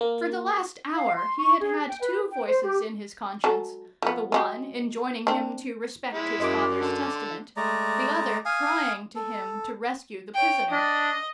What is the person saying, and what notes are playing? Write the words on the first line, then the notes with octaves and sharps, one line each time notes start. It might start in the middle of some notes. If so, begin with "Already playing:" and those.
For the last hour he had had two voices in his conscience, the one enjoining him to respect his father's testament, the other crying to him to rescue the prisoner.
A#3
F5
C6
C#6
G#4
G5
B4
G5
C5
G4
F#3 G#3 A4
F3 B3
F#3 G#3 G4
C4 D4
G#3 E4
F#2 D#5 C6 D6
D3
G#3 A3 D5 A#5
F5 G#5 D#6
A4
C#5 G5
D4 D#5